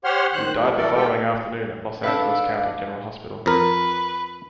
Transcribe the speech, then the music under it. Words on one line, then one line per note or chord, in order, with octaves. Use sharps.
He died the following afternoon at Los Angeles County General Hospital.
G4 C5 C#5 F#5 C6 F6
D#3 C5 F#6
C3 F3 G3 A3
E3 A3 A4 A#4 D5
D#2 G#3 F4 G4 A4 G5
D4 A4 B4 F5
F2 A#4 B4